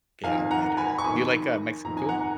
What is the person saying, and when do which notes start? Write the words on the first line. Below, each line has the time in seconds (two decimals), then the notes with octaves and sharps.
Yeah, it is. Do you like, uh, Mexican food?
0.24 F2 D#3 F5 G#5
0.51 F#5 A#5
0.77 G#5 B5
0.98 C#6
1.04 F2 D#3 G#5 B5
1.85 F2 D#3 A#5
1.97 G#5
2.09 F#5 A#5